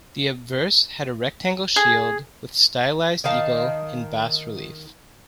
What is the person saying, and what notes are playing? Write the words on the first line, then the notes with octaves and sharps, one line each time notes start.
The obverse had a rectangle shield with stylised eagle in bas-relief.
G#4
D#3 D#4 F5 A5